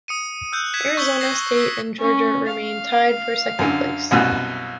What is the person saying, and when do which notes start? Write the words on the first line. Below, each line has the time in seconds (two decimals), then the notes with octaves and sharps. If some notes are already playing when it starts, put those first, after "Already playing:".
Arizona State and Georgia remained tied for second place.
0.08 D#6 C#7 D#7
0.52 E6 F#6 G6
0.74 G#6 B6 E7
0.97 C#6 E6 G6 B6 F#7 G7
1.21 A#6 C7 E7
1.57 E6 B6
1.99 C#4
2.48 F5
3.59 F#2 D3
4.11 C2 F#2 B2